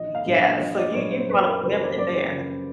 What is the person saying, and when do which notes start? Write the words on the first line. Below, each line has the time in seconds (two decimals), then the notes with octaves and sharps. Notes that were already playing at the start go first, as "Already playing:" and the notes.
Yeah, so you you brought up a memory there.
Already playing: A#1 D#5
0.15 F5
0.26 A#2 F#3 B3 D4
0.36 F5
0.59 A#1 D#5
0.70 D#5
0.77 D5
0.94 A#2 F#3 B3 D4 C#5
1.11 C5
1.28 F#2 B4
1.46 A#4
1.63 C#3 F3 C5
1.81 D5
1.97 F#2 D5
2.32 C#3 F3